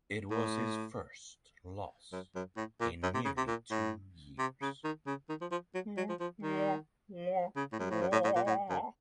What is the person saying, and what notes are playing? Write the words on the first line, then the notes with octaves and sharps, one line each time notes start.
It was his first loss in nearly two years.
A2
F#2
F#2
A2
A#2
F#2
C3
C#3
C3
A#2
A2
C3
C#3
D#3
C#3
D#3
F3
F3
F#3
F#3
F3
F3
D#3
C#3
A2
F#2
A2
F#2
A2
A2
A#2
A2
F#2